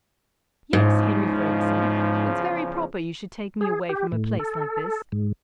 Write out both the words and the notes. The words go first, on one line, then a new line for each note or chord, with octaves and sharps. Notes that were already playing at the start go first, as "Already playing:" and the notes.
"Yes, Henry Ferguson; it's very proper you should take me away from a place like this."
E2 G#2 C#3 F3
G#4
G4
A2
A4
G#2